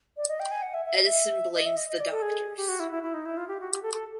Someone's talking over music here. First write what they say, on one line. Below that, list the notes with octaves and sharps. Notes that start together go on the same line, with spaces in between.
Edison blames the doctors.
D5
D#5
G5
G#5
F#5
E5
E5
D#5
E5
D#5
E5
D#5
D#5
D5
A4
G#4
G4
F#4
E4
E4
E4
D#4
E4
F4
G4
F#4
G4
A4
A4